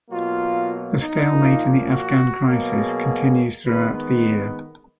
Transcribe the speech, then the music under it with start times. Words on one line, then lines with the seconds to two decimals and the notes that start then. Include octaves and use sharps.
The stalemate in the Afghan crisis continues throughout the year.
0.10 B2 F#3 A#3 F4
0.99 D#4
1.29 A#2 F3 A#3
1.88 F#4
2.47 B2 F#3 A#3
2.77 G#4
3.66 D#3 G#3 B3 B4